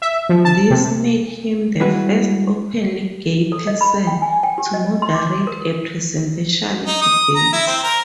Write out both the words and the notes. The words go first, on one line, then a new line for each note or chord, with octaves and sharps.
This made him the first openly gay person to moderate a presidential debate.
E5
F3
A5
C3
G3 G#3 E4 F#4 B4
A4
D#5
B5
G5
G#5
G5
G4
D#5
C6
D6
A#4
D#4
D#6
A#5
E4
C4
A#4